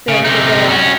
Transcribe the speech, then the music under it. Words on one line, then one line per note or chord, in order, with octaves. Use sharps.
so you're gonna
C#3
C3 D#4
C#4 F#4